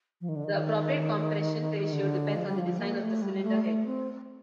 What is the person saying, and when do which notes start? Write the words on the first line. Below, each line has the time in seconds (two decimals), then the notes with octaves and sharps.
The appropriate compression ratio depends on the design of the cylinder head.
0.21 F3
0.29 D#3
0.36 D3
0.44 D#3
1.92 D3
2.36 F3
2.47 G3
2.59 F3
2.79 A#3
3.01 A3
3.22 G3
3.34 G3
3.43 A3
3.64 A3
3.86 C4